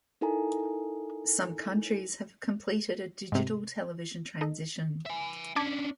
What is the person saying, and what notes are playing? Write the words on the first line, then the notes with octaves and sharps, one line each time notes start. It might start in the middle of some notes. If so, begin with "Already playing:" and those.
Some countries have completed a Digital television transition.
D#4 E4 A4 A#4 G#5 A#5
G#2 C3
D#4 A4 D#5
E5 G#5
C#4 D4 A5 D6 G#6